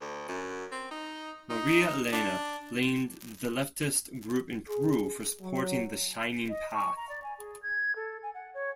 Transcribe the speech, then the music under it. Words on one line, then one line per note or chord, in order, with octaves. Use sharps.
Maria Elena blamed the leftist group in Peru for supporting the Shining Path.
D2
F#2
C4
D#4
D#4
D4
G#4
F#3
D#5
C#6
A#5
D5
G#5
G#4
G#6
A4
G#5
F#5
C#5